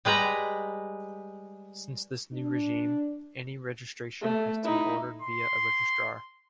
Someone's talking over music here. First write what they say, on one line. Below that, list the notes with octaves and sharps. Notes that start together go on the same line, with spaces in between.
Since this new regime, any registration has to be ordered via a registrar.
G3 G#3 B4 A#5
D4
A3
D#4 E4
C6